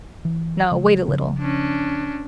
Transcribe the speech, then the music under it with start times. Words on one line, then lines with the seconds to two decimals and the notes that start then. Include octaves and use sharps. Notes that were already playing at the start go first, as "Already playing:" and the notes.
No, wait a little.
0.25 E3
0.72 C#3 F3 G#3
1.08 C#3 F3
1.40 C#4 D4